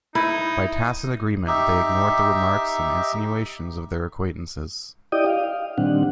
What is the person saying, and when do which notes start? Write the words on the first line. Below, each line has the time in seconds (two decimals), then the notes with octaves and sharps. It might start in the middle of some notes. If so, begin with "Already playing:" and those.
By tacit agreement they ignored the remarks and insinuations of their acquaintances.
0.15 D#4 E4
1.47 D#4 G4 E5
5.12 E4 G4 D5 D#5 G5 D#6
5.26 F5
5.78 A#2 D#3 G3 C4 D4 F#5